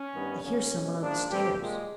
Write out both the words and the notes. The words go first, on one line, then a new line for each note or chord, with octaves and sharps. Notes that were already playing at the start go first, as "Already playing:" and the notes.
"I hear some one on the stairs."
Already playing: C#4
G2 D#3 G3 B3
F2 C#3 F#3 A#3 C#4
B2 G#3 C4
G#2 F3 A#3 D4
A2 E3 G3 C4 G4
A#2 F3 G#3